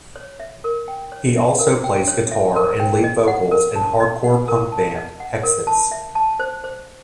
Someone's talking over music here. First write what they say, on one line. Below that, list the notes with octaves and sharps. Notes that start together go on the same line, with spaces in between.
He also plays guitar and lead vocals in hardcore punk band, Hexes.
C#5
E5
A#4
G5
C#5
E5
A#4
G5
C#5
E5
A#4
G5
D#5
F#5
A#4
A5
D#5
F#5
A#4
A5
D#5
F#5
A#4
A5
E5
A5
C5
C5